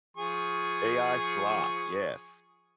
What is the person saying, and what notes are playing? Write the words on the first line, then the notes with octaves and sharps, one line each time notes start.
AI slop, yes.
F3 G#4 C#6